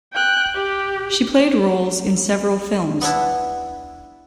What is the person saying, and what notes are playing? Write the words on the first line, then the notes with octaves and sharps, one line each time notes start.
She played roles in several films.
G5 F#6
G4
B3 D4 E4